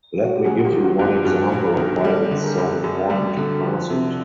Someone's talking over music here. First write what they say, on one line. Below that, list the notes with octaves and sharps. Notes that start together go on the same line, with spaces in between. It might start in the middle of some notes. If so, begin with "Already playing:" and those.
Let me give you one example of why it’s so important to pass it.
F#4
G4
F#3 F#4 G#4
F#4
F4 G4
D#3
F#4
G2
F4 G4
G2 F#4 G#4
F#3
D#3
G3 G4 A4
D3
G#4 A#4
F#2
F#2 F#4 G#4
G3
D3
F3
C3